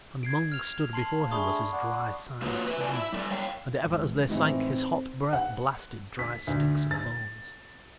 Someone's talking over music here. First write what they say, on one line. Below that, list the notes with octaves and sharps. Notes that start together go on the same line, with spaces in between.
And Mung stood before him as his dry sides heaved, and ever as they sank his hot breath blasted dry sticks and bones.
G#6 C7 D7
F6 F7
A5 C6 C7
A#3
A3 D4 G#4 B5 C#6 D#6
D5 F#5
A#3 F4 F#4 B4 C#5
B4 E5
A#2 F#4 D5 G#5 A5
E4 E5
G3 A4 D5
C#5 F5 G5
G#1 E2
A2 E3 C4 D#4
F#5
B6
D2
A6